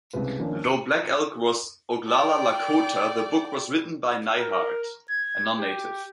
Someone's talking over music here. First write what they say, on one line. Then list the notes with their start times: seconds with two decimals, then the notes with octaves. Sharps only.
Though Black Elk was Oglala Lakota, the book was written by Neihardt, a non-Native.
0.13 C2 C#3 G#3 B4
0.39 D#3 F3 A#3 C#4 D4
0.64 C#7
2.10 D5 G5
4.39 A#4
5.10 G#6
5.59 G4